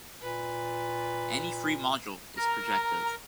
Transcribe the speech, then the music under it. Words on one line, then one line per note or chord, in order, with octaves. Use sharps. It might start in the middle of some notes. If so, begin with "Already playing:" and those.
Any free module is projective.
A#2 B4
A#4 A#5